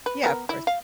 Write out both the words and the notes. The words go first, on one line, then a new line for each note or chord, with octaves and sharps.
Yeah, of course.
B4
B3 A#4
E4
F5